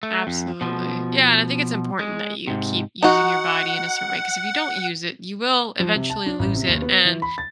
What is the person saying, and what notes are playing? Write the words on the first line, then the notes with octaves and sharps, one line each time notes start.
Absolutely. Yeah, and I think it's important that you keep using your body in a certain way ‘cause if you don't use it, you will eventually lose it and
A3
F2
B2 F3
G#3
G#2 C3
D#4 F#4 F#5
F3
C3
A5
D4
A1
C3
D#2
B3
E3
B5
A6